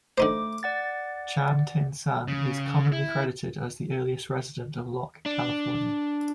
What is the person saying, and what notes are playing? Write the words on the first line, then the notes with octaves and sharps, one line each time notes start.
Chan Tin-San is commonly credited as the earliest resident of Locke, California.
D3 A3 D#4 C5 D6
D5 F#5 A6
C#3
E4
D4